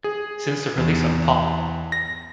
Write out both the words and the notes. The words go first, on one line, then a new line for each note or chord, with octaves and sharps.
Since the release of Pop!
G#4
E2
A#6